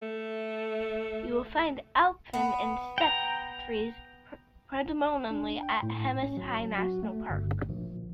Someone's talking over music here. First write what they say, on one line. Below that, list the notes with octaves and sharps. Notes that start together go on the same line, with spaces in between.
You will find alpine and steppe trees predominantly at Hemis High National Park.
A3
B3
G5 A#5
D4
G5
A2
C#4
F#3
F#4
A3
G1
A#1